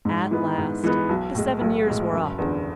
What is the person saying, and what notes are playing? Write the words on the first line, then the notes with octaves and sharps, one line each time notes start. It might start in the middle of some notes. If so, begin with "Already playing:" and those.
At last the seven years were up.
G#2
E3 G#3 B3
G#2
E3 G#3 B3
B1
A2 G#3
B1
A2 G#3
F#1
E2 D3